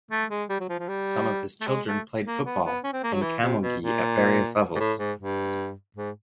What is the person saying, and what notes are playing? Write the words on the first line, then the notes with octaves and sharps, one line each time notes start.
Some of his children played football and camogie at various levels.
A3
G#3
G3
F#3
F3
F3
G3
A3
G#3
A3
A#3
B3
B3
C#4
C4
A#3
F#3
E3
C3
B2
A#2
G#2
A2
G#2
G2
G#2